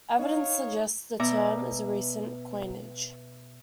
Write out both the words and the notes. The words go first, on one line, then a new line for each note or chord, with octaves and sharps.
Evidence suggests the term is a recent coinage.
D#4 C#5 F5
B2 D5 E5 A#5 D6